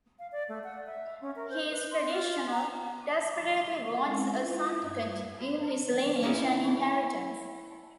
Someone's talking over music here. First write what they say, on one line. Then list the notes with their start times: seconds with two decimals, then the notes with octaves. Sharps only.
He is traditional, desperately wants a son to continue his lineage and inheritance.
0.19 F5
0.32 D5
0.49 A3
0.64 F#5
0.87 E5
1.21 C#4
1.36 A#4
1.50 C5
1.71 B4
1.91 C6
2.11 F4
2.51 A#5
3.97 G#3 C4 C#4 E4 A4
4.31 E4 F4
4.81 G2 G#6
6.23 A#3 C#4 D#4 E4 G#4